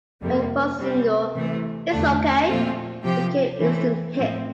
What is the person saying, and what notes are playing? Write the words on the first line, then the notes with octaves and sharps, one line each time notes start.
Her first single, "It's ok", became an instant hit.
F2 C3 G3 A#3
C3 G3 C4
C3 E3 A3
E2 D3 A3 D4
A#2 F3 A3 C4 F4
C3 F3 C4 G4
E3 A3 C4
A2 F3 C4